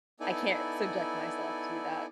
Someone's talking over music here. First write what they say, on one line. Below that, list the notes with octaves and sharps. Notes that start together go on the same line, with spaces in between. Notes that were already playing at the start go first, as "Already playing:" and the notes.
I can't subject myself to that
B3 D#4 E4 A4 D5 G#5